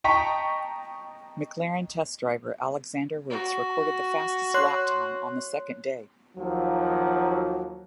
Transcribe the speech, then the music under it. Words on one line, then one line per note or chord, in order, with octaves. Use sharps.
McLaren test driver Alexander Wurz recorded the fastest lap time on the second day.
D#5 G5 A5 A#5 C#6 B6
F#4
C#5 C6 F#6
D#2 F3 F#3